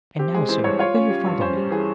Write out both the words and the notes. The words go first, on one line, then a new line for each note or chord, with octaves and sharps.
And now, sir, will you follow me?
C4 G4
G#3 G#4
E3 C5
G2 C#5
F4 C#5
C#4
G3
G2
C#4 C5
G3
E3 G#4